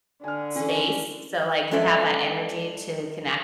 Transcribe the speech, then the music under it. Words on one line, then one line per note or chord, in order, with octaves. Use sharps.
space, so, like, you have that energy to connect
D3 G#5 F6
E3 C#4 A4
G#3 C#4 A4 D5 E5